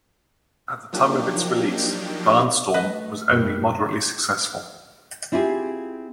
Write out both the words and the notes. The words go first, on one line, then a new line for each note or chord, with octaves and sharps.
At the time of its release, "Barnstorm" was only moderately successful.
F3 F#3 A#3 D4 D#4 G4
A3 B4 D#5
F#2 B2 G3 A#3
C4 E4 F4 G4 G#4